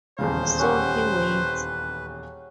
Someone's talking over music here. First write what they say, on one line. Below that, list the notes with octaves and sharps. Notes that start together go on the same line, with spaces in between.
So he waits.
D#1 E2 C#3 C5 F5
C#4 G4 B4 F#5